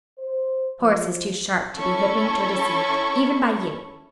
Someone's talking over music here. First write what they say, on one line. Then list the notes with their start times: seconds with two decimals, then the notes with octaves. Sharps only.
Horace is too sharp to be hoodwinked or deceived, even by you.
0.18 C5
0.81 F3
1.77 C#4 E4 A4 C#6